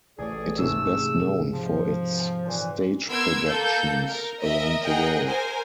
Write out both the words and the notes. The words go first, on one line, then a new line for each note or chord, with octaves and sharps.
It is best known for its stage productions around the world.
A1 A3 G#4 C#5 D5
G#2 C3 A3 E6
F3
D#2 A#2 E3
B3 A#4 C6 E6 G#6 D7
A#3 A4 G6
A#4
A#4 D#5 E5
G#4 A#4 D#5 F#5 G5
A#4 C5 G#5